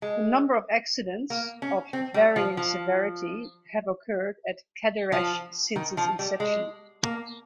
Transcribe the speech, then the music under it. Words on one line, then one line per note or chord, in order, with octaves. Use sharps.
A number of accidents, of varying severity, have occurred at Cadarache since its inception.
G#3
A#3
C#4
C4
G3
F3
F3
F3
D#3
F3
G3
G#3
A#3